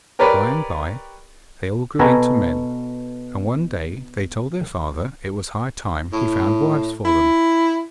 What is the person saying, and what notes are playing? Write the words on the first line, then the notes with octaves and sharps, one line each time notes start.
By-and-by they all grew into men, and one day they told their father it was high time he found wives for them.
G4 A#4 B4 C#5 D5 B5
B2 F#4 A4 B4 G#5 A#5
A2
E4